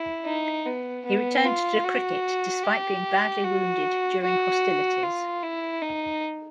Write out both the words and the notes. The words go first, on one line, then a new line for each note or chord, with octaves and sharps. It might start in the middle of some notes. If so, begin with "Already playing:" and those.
He returned to cricket despite being badly wounded during hostilities.
Already playing: E4
D#4
B3
B3
F4
F#4
G4
F#4
F#4
F4
E4
D#4